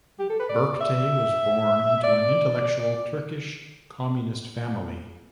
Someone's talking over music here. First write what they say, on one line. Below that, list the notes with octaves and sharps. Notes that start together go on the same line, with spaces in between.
Berktay was born into an intellectual Turkish Communist family.
G4
A4
B4
D5
E5
D5
D5
D5